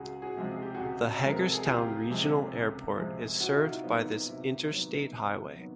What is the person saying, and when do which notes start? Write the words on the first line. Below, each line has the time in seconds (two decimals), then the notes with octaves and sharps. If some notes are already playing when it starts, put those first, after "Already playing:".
The Hagerstown Regional Airport is served by this interstate highway.
Already playing: C#2 F#4 G#4
0.22 F#4 G#4
0.37 C3 F3 G#3 C4
0.51 G#4
0.62 G4
0.74 F#4 G#4
0.80 C#2
1.24 C3 F3 G#3 C4 A#4
1.39 A4
1.53 G#4
1.66 C#2 F4 G4
2.10 C3 F3 G#3 C4
2.53 C#2
2.96 C3 F3 G#3 C4
3.40 C3 F#4
3.48 F4
3.56 E4 F#4
3.69 D#4 F4
3.83 D#3 F#3 B3
3.98 D#4
4.27 C3 E4
4.70 D#3 F#3 B3
5.14 C3
5.56 D#3 F#3 B3